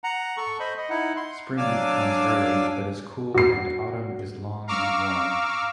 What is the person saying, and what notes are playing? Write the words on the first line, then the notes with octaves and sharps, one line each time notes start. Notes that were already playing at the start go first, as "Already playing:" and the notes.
Spring comes early but is cool and autumn is long and warm.
F#5 A#5
A4 C#6
C5 D#5 B5
D#5
D#4 E4 F#5
C6
F#3 D4 F5 G#5 D6 E6
F#4 C7
F5 A#5 C#6 D6 E6 F6